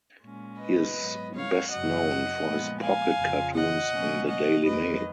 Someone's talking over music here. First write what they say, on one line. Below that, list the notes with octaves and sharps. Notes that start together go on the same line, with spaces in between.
He is best known for his pocket cartoons in the Daily Mail.
A#2 G#3 C#4
B4 D#5
G#2 F#3 B3
C#5 F5
F#2 C#3 F#3 D#5 F#5
A#2 F3 G#3 B3
F5 G#5
F2 C#3 F3
D#5 F#5
B2 F#3 A#3 C#4
D#5 F#5
F2 D#3 F#3 A#3 B4 D#5